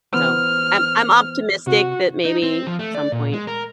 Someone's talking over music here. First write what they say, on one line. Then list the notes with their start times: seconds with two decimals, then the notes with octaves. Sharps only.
So I'm I'm optimistic that maybe some point
0.13 E3 B3 C5 F6
1.67 C3 F#4
2.25 D#4
2.43 C4
2.67 F3
2.79 A3
2.95 D5
3.12 A#2
3.33 G#3
3.47 A#4